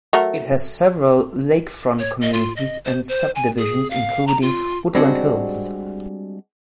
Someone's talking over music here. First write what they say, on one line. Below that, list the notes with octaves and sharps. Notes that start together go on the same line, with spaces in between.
It has several lakefront communities and subdivisions, including Woodland Hills.
F#3 A3 A#4
C#5
D#5
F4
D#5
C5
C5
G#5
G#4
F5
A#5
F4
G3 G#3 C4 D4 F#4